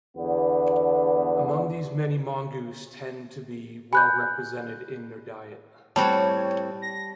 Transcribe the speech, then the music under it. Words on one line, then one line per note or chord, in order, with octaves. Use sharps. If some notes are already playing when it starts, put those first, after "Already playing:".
Among these many mongoose tend to be well represented in their diet.
E2 D3 B3
G#5 B5 F#6 G6
A2 G3 C4 F#4 C#5 A5
A#6